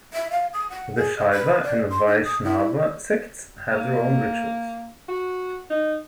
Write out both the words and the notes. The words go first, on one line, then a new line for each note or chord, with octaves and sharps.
The Shaiva and Vaishnava sects have their own rituals.
E5
F5
D#6
F#5
G#4
D#5
B4
D5
C6
D#4
D#6
E4
A#3
F#4
D#4